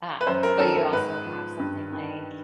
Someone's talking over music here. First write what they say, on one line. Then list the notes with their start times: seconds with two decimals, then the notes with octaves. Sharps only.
um, but you also have something like
0.21 B4
0.27 F#2 C5
0.43 A#4
0.59 D#3 A4
0.76 A#4
0.93 G#2 B4
1.26 F3
1.59 G2
1.92 D#3